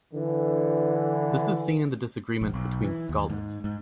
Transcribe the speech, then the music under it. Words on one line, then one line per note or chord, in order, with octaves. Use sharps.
This is seen in the disagreement between scholars.
D3 E3
A#1
B1
E3
D#2
G#2
G#2